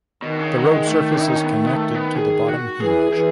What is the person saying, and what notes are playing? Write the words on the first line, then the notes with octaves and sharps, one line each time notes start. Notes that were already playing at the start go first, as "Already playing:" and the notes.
The road surface is connected to the bottom hinge.
B2 D#3
C#3
F#3
G#3
A3
E4
D#4
C#4
B3
A3
B3
A3
B3
G#4
F#4
E3 G#4
E3 G#4